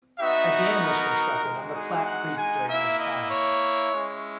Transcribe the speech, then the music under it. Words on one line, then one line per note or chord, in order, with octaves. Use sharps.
A dam was constructed on the Platte Creek during this time.
B3 D#4 F#4 E5
A#4
G#3 D#4 F#4
G#4
F#5
G#5
A#3 E4 E5
D#5
C#5
G#3 C#4 E4